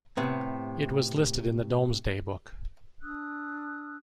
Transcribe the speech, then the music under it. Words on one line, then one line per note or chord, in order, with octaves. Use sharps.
It was listed in the Domesday book.
A2 C3 B3
D4 D#6 E6 F#6